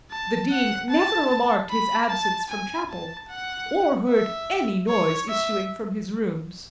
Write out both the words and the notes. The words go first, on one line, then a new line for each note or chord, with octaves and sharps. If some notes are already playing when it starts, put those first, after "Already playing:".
The Dean never remarked his absence from Chapel, or heard any noise issuing from his rooms.
A5
F#5
A5
B5
A5
G#5
A5
F#5
E5
C#5
E5